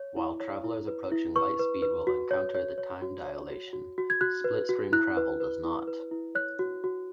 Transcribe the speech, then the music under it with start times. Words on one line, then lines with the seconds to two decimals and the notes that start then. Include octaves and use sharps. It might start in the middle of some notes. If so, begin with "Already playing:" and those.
While travellers approaching light speed will encounter time dilation, slipstream travel does not.
Already playing: C#5
0.17 E4
0.40 C#5
0.64 E4
0.87 B4
1.12 E4
1.36 B4 C#6
1.59 B4
1.82 B4
2.07 F#4
2.31 C#5
2.55 C#5
2.78 C#5
3.02 F#4
3.26 C#5
3.50 F#4
3.73 F#4
3.98 F#4
4.10 G#6
4.21 F#4 F#6
4.44 B4
4.69 F#4
4.93 E4 F#6
5.17 B4
5.40 B4
5.65 E4
5.87 B4
6.11 E4
6.35 C#5 F#6
6.59 F#4
6.84 F#4